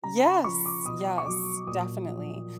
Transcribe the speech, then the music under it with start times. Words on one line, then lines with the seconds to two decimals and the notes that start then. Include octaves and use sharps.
Yes, yes, definitely.
0.04 C#3 A#5
0.24 B5
0.44 F3 C#6
0.66 D6
0.85 B2 D#6
1.18 C#6
1.26 F#3 D6
1.67 A#2 D#6
2.08 F3